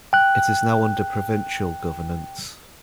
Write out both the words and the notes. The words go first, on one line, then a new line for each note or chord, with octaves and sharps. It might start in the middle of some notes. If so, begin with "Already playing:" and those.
It is now under provincial governance.
G5 F#6